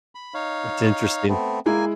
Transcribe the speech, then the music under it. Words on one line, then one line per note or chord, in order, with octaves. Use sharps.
It's interesting.
B5
D#4 C#5 F5
A3 B3 C4
G#3 A#3 E4 G#5